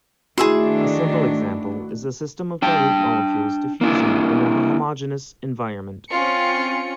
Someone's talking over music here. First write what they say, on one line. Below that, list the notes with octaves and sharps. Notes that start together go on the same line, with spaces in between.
A simple example is a system of dilute molecules diffusing in a homogeneous environment.
D#3 A3 D4 E4 F#4 G#4 E5 C6
D4 G5 A5
A#3 D4 E4
C4 C#4 F4 C#7